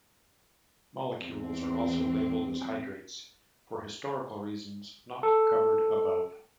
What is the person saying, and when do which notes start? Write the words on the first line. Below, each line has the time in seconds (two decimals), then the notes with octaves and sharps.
Molecules are also labeled as hydrates for historical reasons not covered above.
1.17 E2 C4
5.23 A4